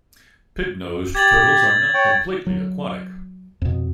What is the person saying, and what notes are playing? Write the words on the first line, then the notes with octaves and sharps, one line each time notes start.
Pig-nosed turtles are not completely aquatic.
G4 G#6 A6 F#7
C#5 G5
F#3
F2 B2